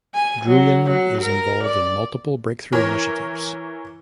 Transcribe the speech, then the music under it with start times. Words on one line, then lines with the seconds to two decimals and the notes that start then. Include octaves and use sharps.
Druyan is involved in multiple Breakthrough Initiatives.
0.14 G#5
0.47 F#3
0.86 F#3
1.22 A#4
1.64 D5
2.72 E3 A#4 C#5